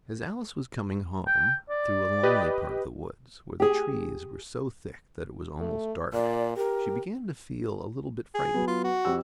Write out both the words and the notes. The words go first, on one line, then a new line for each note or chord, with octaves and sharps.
As Alice was coming home, through a lonely part of the woods, where the trees were so thick that it was almost dark, she began to feel a little bit frightened.
G5
D5
G4 B4 D#5
G4 G#4
A3
A#2 D5
G4 A#4
G#4
F#3 B3
F4
F#4
F2 G4 E6